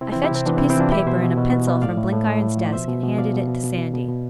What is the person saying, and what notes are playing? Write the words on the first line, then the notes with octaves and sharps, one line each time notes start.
I fetched a piece of paper and a pencil from Blenkiron's desk and handed it to Sandy.
C3 C4 E4
C4 E4
E3
E4 G4
C3 C4
E3 B3 D4
C4 E4
C3
C4 E4
E3 D4 F4
B2 E4 G4
B2 C5 E5
B2
B2
B2
B2
A2 D5 F5
A2
A2
A2
A2
F3
D5
B2 C5 E5
B2
B2
B2 D5 F5
B2
B2
B2
B2
B2
B2